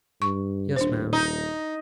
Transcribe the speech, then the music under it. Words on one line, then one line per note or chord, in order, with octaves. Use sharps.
'Yes, ma'am.
G2 C#6
D#1 D4 C5
D#4